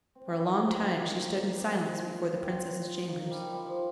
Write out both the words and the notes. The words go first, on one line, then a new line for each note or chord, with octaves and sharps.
For a long time she stood in silence before the Princesses' chambers.
C4
C#4
F4
D#4
C#4
C4
A#3
F3
D#3
G3
F3
F3
G3
F3
F3
D#3
G3
F3
G3
F3